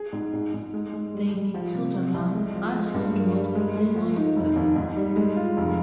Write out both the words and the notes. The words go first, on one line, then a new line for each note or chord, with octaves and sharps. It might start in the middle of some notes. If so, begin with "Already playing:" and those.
David Sutherland also drew a single strip.
Already playing: G#4
G#2
G#2
G#2
G#3
G#3
G3
G3
F3
C3
C3
C2
G#3
F3
G#3
G2
A#3
G3
G#3
G#3
F3
D#4
F1
D#2
G#2
G3
G#3
F4
F1